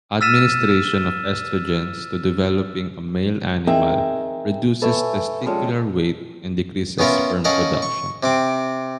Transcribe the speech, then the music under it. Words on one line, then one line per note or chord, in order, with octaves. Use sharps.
Administration of estrogens to developing male animals reduces testicular weight and decreases sperm production.
E6 F6 A6 B6 D#7 E7
C4 D#4 G#4 A#4 E5 G5
A4 B4 C#5 E5 G#5
F3 G3 G#3 C#4 A4
B3 C#4 F4 A#4 E5
C#4 A4 A#4 D#5 F5 F#5
C#6
C3 C4 D6